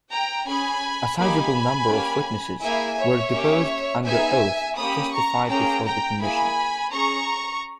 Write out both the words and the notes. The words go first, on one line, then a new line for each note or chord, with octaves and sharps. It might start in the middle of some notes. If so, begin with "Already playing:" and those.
A sizeable number of witnesses were deposed under oath to testify before the Commission.
G5 A#5
C#4 G#4 G#5 B5
A#3 D#4 G4 G#5 B5
A#3 C#4 G4
A#3 E4 G#4 E5 G#5
C#5 E5
A#3 C#4 G4
B3 D#4 G#4 E5 G#5
A#3 C#4 G4 B5 D#6
A#5 C#6
A#3 C#4 G#4 G5 A#5
G5 A#5
A#3 E4 G#4 G#5 B5
C#4 G#4 A#5 C#6